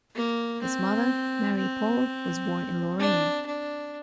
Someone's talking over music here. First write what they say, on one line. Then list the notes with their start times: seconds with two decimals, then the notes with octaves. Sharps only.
His mother, Marie-Paule, was born in Lorraine.
0.15 A#3
0.62 C4
1.57 C4
2.99 D4
3.46 D4